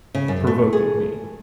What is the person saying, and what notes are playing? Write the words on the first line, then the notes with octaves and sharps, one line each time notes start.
provoking me.
C#3
F#2
A3
G#4